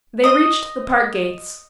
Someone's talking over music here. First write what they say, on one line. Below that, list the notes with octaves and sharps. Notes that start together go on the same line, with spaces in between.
They reached the park gates.
D#5 D#6